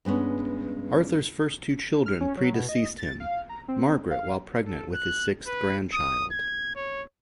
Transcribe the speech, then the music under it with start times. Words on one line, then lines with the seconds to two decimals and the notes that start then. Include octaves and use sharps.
Arthur's first two children predeceased him, Margaret while pregnant with his sixth grandchild.
0.05 G2 G#3 B3 C#4
2.06 F6
2.21 C#4
2.37 F#3
2.54 B2
2.69 D#5
2.98 A6
3.20 F5
3.49 A#5
3.68 C4
4.11 F5
4.65 A4
4.94 F#6
5.47 B4
5.93 D#6
6.32 G#6
6.75 C#5